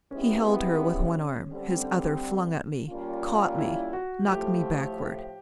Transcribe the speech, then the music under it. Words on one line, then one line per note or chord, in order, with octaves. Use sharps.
He held her with one arm! his other flung at me, caught me, knocked me backward.
G#3 B3 C#4 E4 G4
C4
C#4
D3 G3 C4
A#2 G3 A#3 C#4 F4
E4
F#4
A2 F3 A3 G4